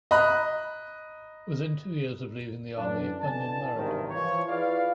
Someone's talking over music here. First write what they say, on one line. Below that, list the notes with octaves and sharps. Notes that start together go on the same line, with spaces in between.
Within two years of leaving the army, Bunyan married.
D#5 A#5 B5 F#6
F#2 D3 E3 D4
B2 D3 E4 G#5 A5
G#1 E2 G2 C3 D#3
E3 F3 C#5
E4 F4 G#4 B4 D5 F5